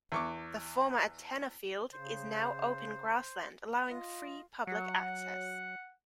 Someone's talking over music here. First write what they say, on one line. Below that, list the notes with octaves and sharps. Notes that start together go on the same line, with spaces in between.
The former antenna field is now open grassland allowing free public access.
E2 C#6 D6
C#3 C5
F4 D#5
F#3 F#5